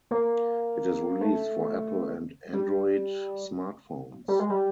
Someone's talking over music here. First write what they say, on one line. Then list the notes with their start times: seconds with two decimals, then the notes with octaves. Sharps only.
It is released for Apple and Android smartphones.
0.11 A#3
1.21 A3
2.53 G3
4.28 G3
4.39 G#3
4.49 G3